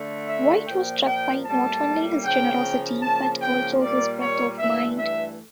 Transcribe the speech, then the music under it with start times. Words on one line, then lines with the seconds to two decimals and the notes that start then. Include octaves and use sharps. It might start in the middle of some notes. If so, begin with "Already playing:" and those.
White was struck by not only his generosity, but also "his breadth of mind".
Already playing: D3 A3
0.28 E5
0.67 A#2 F3 A#3 G5
1.07 G5
1.46 A2 G3 A#3 A5
2.24 C#3 F3 A#3 G5
3.02 C#3 F3 A#3 A5
3.42 G5
3.81 A#2 G3 A#3 D5
4.20 C#5
4.59 G2 E3 A3 E5
4.98 E5